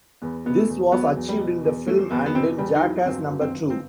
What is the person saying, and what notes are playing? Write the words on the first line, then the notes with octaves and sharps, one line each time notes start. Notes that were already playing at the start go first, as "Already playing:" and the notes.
This was achieved in the film and in "Jackass Number Two".
E2 B3
B2 B3
A3
E2
F#3 B3
E2
G3
B2
E2
F#3 A3
E2 B3
B3
B2 C4
E2 G3
D#4
F#3 E4
G1 C4
F#2
C4
G1
C4